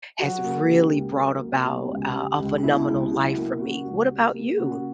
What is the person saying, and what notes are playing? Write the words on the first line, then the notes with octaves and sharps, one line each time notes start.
has really brought about, uh, a phenomenal life for me. What about you?
F#3 F#4
A#3
C#3 G4
C#2
F#3 A#4
A#3
B2 G4
C#2
G3
C#2
B2 E4
C#2
F#3 E4
A#3
C#3 F#4
C#2
G3
A#3
C#3 F#4